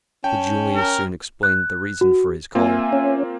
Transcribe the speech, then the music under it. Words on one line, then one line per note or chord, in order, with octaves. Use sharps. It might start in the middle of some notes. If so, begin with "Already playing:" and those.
But Julius soon explained the reason for his call.
C#4 G5 A5
A#4
F#6
F#4
A#3 C4 F4 E5 G#5
C#4